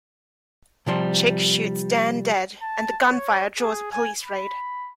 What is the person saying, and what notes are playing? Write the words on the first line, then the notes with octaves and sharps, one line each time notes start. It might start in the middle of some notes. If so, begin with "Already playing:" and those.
Chick shoots Dan dead and the gunfire draws a police raid.
C3 F3 G3 C6
A5
C#5
G#4
G#5
B5